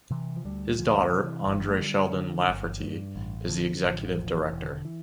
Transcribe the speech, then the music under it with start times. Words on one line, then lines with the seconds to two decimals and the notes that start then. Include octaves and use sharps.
His daughter, Andrea Sheldon Lafferty, is the executive director.
0.10 C3 E3
0.36 F3
0.45 D2 G3
0.79 D2 F3
1.01 F3
1.12 C3
1.24 E3
1.46 G1 E3
1.69 A3
1.80 D3 G3
2.14 D3
2.48 G1
2.82 G2
3.16 A1
3.49 D3 F3
3.84 A1
4.17 E1 F3
4.40 E3
4.51 E1
4.62 D3
4.85 E3